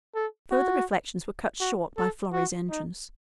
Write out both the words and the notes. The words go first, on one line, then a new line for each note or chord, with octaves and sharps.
Further reflections were cut short by Florrie's entrance.
A4
F#4
F#4
A4
F#4
D#4